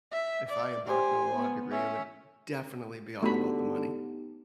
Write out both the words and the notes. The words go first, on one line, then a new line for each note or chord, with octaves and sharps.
if I embarked on a law degree, it would definitely be all about the money.
E5
D5
G4 C5 G#5
B3
C#4 E5
D3 A3 B3 D#4 F#4 G4 B5